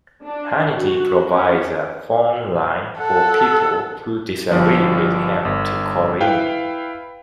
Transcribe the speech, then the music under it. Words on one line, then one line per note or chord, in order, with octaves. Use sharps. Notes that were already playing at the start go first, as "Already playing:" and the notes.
Hannity provides a phone line for people who disagree with him to call in.
D4
F#4
C#4
A4 F#5
G1 G2 F3
G1
E4 B4 F5 G5